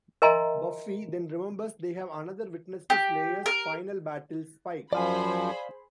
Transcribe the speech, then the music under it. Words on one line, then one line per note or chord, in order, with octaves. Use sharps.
Buffy then remembers they have another witness to Slayers' final battles: Spike.
A#4 D#5 E5 G#5 A#5 C6
G4
A#4
F#2 F3 G#4 C5 D5 F5 G#5 B5